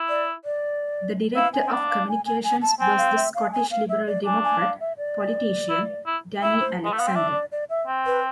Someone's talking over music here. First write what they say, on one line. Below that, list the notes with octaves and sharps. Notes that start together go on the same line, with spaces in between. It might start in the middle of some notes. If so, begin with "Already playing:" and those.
The director of communications was the Scottish Liberal Democrat politician Danny Alexander.
Already playing: E4
D5
D5
E4 F5
G#5
C4
D4
F5
G#5
G#5
G#5
A5
C4 G#5
F5
E5
F5
G#5
F5
E5
D5
D4 G#5
G#5
F5
E5
D5
E4
E4
E4 E5
C5
G#3
A3
B3 F5
C4
D4 E5
D5
D5
E5
C4
B4